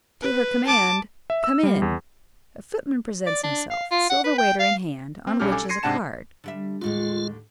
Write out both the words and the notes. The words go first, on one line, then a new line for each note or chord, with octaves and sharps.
To her command "Come in!" a footman presents himself, silver waiter in hand, on which is a card.
B4
A5 D6
E5
E6
G3
E2
D5
D4
F5
F4
F#5
B4
G5
F5
C4
B1 G3 C#4 D4 G4 F6
A4 G#5 D6
C6 G#6 A#6 C7 C#7 D#7
G#2 C3 D4 F#5 A5 E7
D3 G3 E5
D#2 A2 D3 G#3 F4